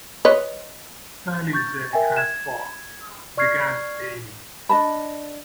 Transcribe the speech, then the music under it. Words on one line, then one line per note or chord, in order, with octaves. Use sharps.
"Sallie J. has four," began Amy.
B4 C#5 D#5
C#6 G6 A6
A#4 E5 G5 G#5
G#6 E7
D5 C#6 F6 G#6 C7
D4 D#5 A5 B5